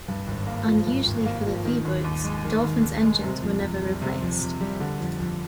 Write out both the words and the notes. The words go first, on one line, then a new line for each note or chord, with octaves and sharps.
Unusually for the V-boats, "Dolphin"'s engines were never replaced.
G2
G#1
A#3
F3
G2
G#1
A#3
F3
D#3
D#2
D#2
G#3
D#3
D#2
D#2
G#3
C3
F2
F2
G3
C3
F2
F2
G3
D3
F2
F2